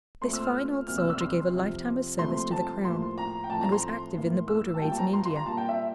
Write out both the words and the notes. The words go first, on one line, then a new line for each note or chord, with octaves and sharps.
This fine old soldier gave a life-time of service to the crown, and was active in the border raids in India.
A#2 A3 C4 C6
E6
F6
D2 C3 G3 A#3 F6
E6
E6
C6
F2 C3 F3
C2 A#2 F3 A3 C4 C6
A5
A2 F3 A#3 C6
A#5
G5
A2 F3 A3 C4 A5
A#5
C6
A2 E3 A#3
E6
A5
G2 F3 A#3 G5
A5
A#5
C6
C6
A#5
A#2 G3 A#3 A5
G5
E5